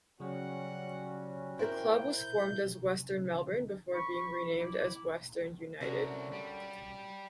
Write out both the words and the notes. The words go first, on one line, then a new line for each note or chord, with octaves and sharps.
The club was formed as Western Melbourne before being renamed as Western United.
C#3 F#3 G3 C#4 F#4 F#5
E4 A#4 C5 G5
G6
B5 C#6
E4 B5 D6
C2 D3 C#4 F#4 A#4
G3